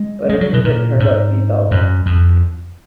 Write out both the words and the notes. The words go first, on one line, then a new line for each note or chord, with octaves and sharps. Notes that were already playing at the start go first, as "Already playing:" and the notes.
But her favourite turns out to be Balzac.
Already playing: G#3
G#3
F#3
B2
A#2
G#2
F#2
F2